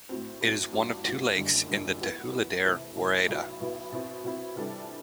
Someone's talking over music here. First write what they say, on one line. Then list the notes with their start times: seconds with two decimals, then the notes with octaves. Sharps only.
It is one of two lakes in the Tehuledere woreda.
0.09 A2 F#3 C4
0.41 A2 F#3 C4
0.73 A1 G2 F#3
1.04 A1 G2 F#3
1.36 F#1 F#2 D3 G3
1.68 F#1 F#2 D3 G3
2.00 E3 B3 F#4
2.32 E3 B3 F#4
2.64 C3 E3 A3
2.96 C3 E3 A3
3.28 B1 B2 F#3 B3 E4
3.60 B1 B2 F#3 B3 E4
3.92 B2 F#3 C4 E4
4.24 B2 F#3 C4 E4
4.56 C3 E3 G3 D4 A4